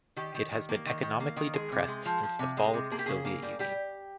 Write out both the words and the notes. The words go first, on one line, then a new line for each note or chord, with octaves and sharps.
It has been economically depressed since the fall of the Soviet Union.
D#3 G4
D#3
D#3
A#3
D#3
D#3
A#3
D#3
G#3 G#4
C3
G#3
F3
F3
C3
G#3
C3
A#3 G#4
G4
C#3 G#4
A#3
G3
G3 G4